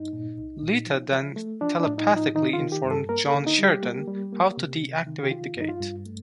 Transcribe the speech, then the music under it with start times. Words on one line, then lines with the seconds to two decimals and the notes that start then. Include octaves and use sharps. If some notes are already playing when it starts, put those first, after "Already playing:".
Lyta then telepathically informs John Sheridan how to deactivate the gate.
Already playing: G2 D#4
0.13 A#2
0.38 C2
0.63 A#2
0.87 F3
1.12 F3
1.36 A3
1.61 F3 D4
1.80 D4
1.86 A2
1.98 D#4
2.11 F3
2.16 D#4
2.35 D#3 D#4
2.53 F4
2.59 D#3
2.72 G4
2.84 G2
2.91 A4
3.09 A#3 A#4
3.28 A4
3.34 D3
3.46 D#4
3.58 G3
3.65 G4
3.83 A#3
4.07 G3
4.33 A#3
4.57 C3
4.81 C3
5.07 D#3
5.23 G4
5.31 F3 F4
5.56 G2
5.61 D#4
5.69 F4
5.80 G2
6.06 A3